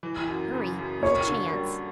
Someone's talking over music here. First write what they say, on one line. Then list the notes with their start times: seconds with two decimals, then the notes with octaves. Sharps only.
"Hurry! There's a chance!"
0.03 E3
0.28 F#2
0.54 C#3
0.79 F#2
1.03 A#3 C#5
1.27 D3
1.53 G3